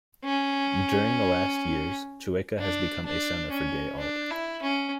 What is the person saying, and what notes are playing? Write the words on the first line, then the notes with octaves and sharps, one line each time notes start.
During the last years Chueca has become a center for gay art.
C#4
D4
D4
C#4
D4
E4
C#4